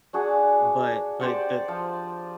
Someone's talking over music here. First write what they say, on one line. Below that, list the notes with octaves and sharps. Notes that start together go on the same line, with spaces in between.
But but the
D4 F#4 G#4
G4 C5 D5 F#5
F3